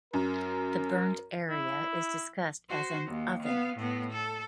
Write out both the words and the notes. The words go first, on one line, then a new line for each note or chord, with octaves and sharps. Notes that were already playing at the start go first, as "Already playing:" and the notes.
The burnt area is discussed as an "oven".
F#2 A#4
E4
F#4 C5
D#2
B3 F5
A2 B3
A4